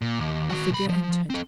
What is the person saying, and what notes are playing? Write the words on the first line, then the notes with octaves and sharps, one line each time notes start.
A figure entered.
A#2
D#2
D#3 F#4
B1 B5
F3
C4 A4